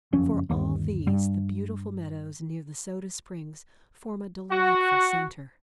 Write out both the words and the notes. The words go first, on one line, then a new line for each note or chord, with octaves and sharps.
For all these the beautiful meadows near the Soda Springs form a delightful center.
F#1 F2 C#4
G1 D#2
G2
F#4